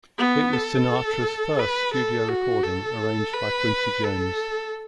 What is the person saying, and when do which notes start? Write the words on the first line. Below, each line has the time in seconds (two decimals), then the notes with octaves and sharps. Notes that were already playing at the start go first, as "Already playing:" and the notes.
It was Sinatra's first studio recording arranged by Quincy Jones.
0.18 B3
0.53 A4
1.59 B4
1.94 A4
2.29 F#4
2.64 A4
3.34 B4
4.04 A4